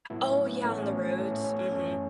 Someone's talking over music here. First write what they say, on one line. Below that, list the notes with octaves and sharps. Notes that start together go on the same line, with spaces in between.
Oh, yeah, on the roads? Mhm.
A2 F#3 A3 B3 E4
C#4
B3
A2 E3 A3 C#4
C#4
A2 A3 C#4
B3
C#4
C#4
F#2 E3 A3